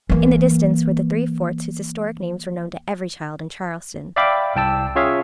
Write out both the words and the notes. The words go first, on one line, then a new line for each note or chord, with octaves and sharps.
In the distance were the three forts whose historic names were known to every child in Charleston.
E3 A#3
D5 E5 F5 G5 B5 D6
C2 G5 A5 E6
C#4 F4 G#4 C#5 E5 F5